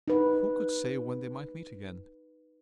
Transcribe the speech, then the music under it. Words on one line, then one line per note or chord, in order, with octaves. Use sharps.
Who could say when they might meet again?
D#4 B4